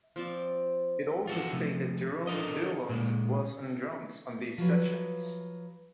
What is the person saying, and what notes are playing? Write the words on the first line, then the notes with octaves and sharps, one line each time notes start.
It also stated Jerome Dillon was on drums on these sessions.
F3 C4 D5
F4 F#4 A4
C3 F3
D4 A4 A#4 D#5
A#2 G#3
F3 F#3 B4